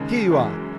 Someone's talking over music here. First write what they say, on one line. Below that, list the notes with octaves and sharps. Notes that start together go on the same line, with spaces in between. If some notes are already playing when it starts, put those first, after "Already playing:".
'Here you are!
Already playing: D#2 C#3 G#3
F#2 E3 G#3